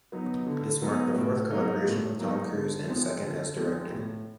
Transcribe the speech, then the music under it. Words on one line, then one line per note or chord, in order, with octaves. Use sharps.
This marked the fourth collaboration with Tom Cruise and second as director.
F#3 B3 D#4
D3
F#3 B3 D#4
A2
F#3 A#3 D#4
A2
F#3 A#3 D#4
D3
F3 G#3 C4 D#4
D3
F3 G#3 C4 D#4
A2